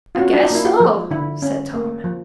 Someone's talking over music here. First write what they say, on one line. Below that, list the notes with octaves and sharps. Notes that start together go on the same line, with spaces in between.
"I guess so," said Tom.
F4
C#4 F#4
D4
D#4
A#3 E4
F4
F3
D3 E4
C#4
A#3
F3